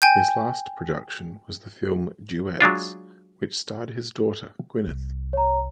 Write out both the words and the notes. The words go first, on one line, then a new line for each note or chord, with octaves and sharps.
His last production was the film "Duets", which starred his daughter, Gwyneth.
G5 G#5 G6
F#3 G#3 D4 F4
C2
C#5 A#5